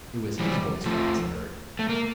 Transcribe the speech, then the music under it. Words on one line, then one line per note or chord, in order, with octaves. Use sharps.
It was his voice Franz had heard.
E3 G3
F3 A3
A3
A#3